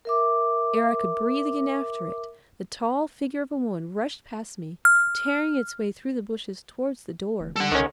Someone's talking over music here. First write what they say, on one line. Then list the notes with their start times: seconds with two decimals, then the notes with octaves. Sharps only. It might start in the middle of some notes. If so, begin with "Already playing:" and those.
Ere I could breathe again after it, the tall figure of a woman rushed past me, tearing its way through the bushes towards the door.
0.05 A#4 E5 D6
4.85 F6
7.40 D1
7.56 G3 A4 F#5
7.72 C#2 D#3 C#4